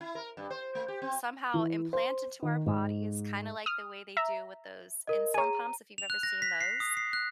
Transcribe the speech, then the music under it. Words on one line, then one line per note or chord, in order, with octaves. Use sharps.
somehow implant into our bodies, kinda like the way they do with those insulin pumps if you've ever seen those,
E4
A#4
G2
C5
A3
G4
C4
E3
C5
D#3
G#2
D#6 F6
E5 A#5
A#4 D#5
G#4 C#5 A#5 D#7
F7
F#6
A#6
B6
C7
D#6
C7
F#6